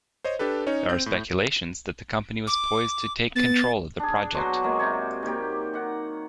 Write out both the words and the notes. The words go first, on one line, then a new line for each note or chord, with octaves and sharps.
There are speculations that the company was poised to take control of the project.
C5 C#5 D#5
D4 G4 A4 B4
C#4 D#4 C#5
C4 G6
A2
D6
B3 A6
D4 G#4
B2 F#3 F#4 C6
F#3 G#3 A#3
C3 C5 C#5
D#3 A#3 G4
D#3 F#5